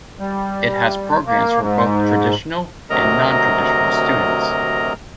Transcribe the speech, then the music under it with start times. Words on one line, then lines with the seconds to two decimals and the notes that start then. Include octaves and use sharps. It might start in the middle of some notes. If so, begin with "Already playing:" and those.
It has programs for both traditional and non-traditional students.
0.19 G3
1.27 A#3
1.60 G#2
2.90 D2 C3 F#3 A#4 D#5 A#5